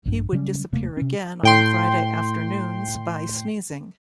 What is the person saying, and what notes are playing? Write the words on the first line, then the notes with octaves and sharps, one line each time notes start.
He would disappear again on Friday afternoons by sneezing.
A#1 G2
C#3 F#3 G3 C#4
D#1 C3 A3 A#3
C3 C#4
A2 G5 C6